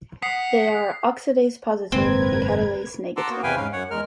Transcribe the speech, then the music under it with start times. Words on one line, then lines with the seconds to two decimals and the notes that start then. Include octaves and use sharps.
They are oxidase positive and catalase negative.
0.22 E2 F#5 D#6 B6 C7
1.92 F#1 D#2 G#2 C4 A#4 B4 G#6
3.17 F#5 A5 A#5 C6 D6 E6
3.30 A#3 B3 F#4
3.43 E2 C3 B4 F5 G5 G#5
3.56 G#2 C#4 F5
3.72 F#2 C#5 F#5
3.91 E2 G#3 A#4 F6